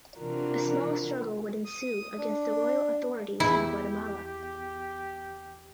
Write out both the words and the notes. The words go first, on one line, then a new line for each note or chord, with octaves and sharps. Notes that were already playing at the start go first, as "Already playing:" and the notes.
A small struggle would ensue against the royal authorities in Guatemala.
C3 E3 D4 F4 F#4 A#4
D#6
D4
E2 E4 G4